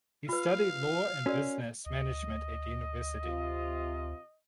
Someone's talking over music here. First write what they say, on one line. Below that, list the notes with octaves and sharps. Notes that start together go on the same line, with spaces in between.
He studied law and business management at university.
F4 B4 F5
C#4 F#4 A#4 D5
D2 D#5
C3 F4